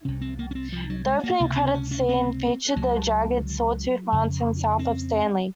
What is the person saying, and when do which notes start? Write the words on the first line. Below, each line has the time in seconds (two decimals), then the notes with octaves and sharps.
The opening credits scene featured the jagged Sawtooth Mountains south of Stanley.
0.05 C2 C3 C#4
0.21 C4
0.39 A#3
0.51 C#4
0.55 C4
0.73 F3
0.90 F#3
1.06 G#3
1.24 A#3
1.40 C#2 C3 A#3
1.58 C4
1.74 C#4
1.91 C#4
2.09 C4
2.76 C#2 C#3 F#3
4.12 F2 C#3
4.79 C4